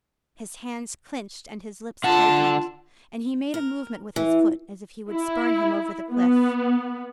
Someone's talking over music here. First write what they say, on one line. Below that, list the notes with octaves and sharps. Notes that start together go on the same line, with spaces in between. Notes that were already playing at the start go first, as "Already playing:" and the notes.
His hands clinched and his lips tightened, and he made a movement with his foot as if he would spurn him over the cliff.
D3 F4 F#5 A5 C6
A#4
E3
E4
B3